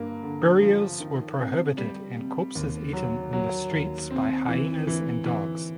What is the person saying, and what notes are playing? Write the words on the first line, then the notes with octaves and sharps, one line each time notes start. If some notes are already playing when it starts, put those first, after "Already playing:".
Burials were prohibited and corpses eaten in the streets by hyenas and dogs.
Already playing: G2 A#3
D3
F3
D#3
C3
G3
C3
D#2
F#3
F#3
D#2
C4
E3
E3
E3